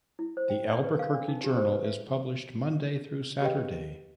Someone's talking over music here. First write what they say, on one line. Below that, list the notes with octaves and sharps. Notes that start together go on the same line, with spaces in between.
The "Albuquerque Journal" is published Monday through Saturday.
E4
C5
G5
D5
B4
F5
D4
D#4
G4
C5
B4
E5
G4 B4 D#5 G5